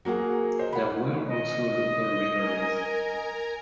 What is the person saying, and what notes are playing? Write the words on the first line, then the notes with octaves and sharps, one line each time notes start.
There were also local rivalries.
F#3 A#3 G#4 F#5
C5 D#5
F#5 B5
D#5
A#4 G#5 A#5